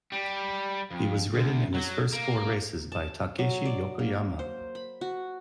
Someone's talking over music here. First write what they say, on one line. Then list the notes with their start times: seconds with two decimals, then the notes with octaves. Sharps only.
He was ridden in his first four races by Takeshi Yokoyama.
0.12 G3
0.91 F2
1.34 D2
1.74 F#3
2.13 A#3
2.92 A5
3.39 F#3
3.65 D5
3.99 A#3
4.39 C5
4.75 B5
5.01 F#4